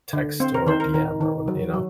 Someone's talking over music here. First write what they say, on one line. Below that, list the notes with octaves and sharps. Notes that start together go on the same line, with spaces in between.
text or a DM or w you know?
D3
C4 C5
A#4
D#3 C5
A#4
D#3 A#4
D#3
F#3
F#3